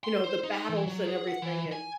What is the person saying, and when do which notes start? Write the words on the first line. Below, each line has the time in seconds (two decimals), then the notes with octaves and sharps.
you know, the battles and everything and
0.04 C6
0.24 C5
0.44 D#4
0.69 E3
0.87 F#3
1.06 G#4
1.27 F#5
1.42 E3
1.72 G#5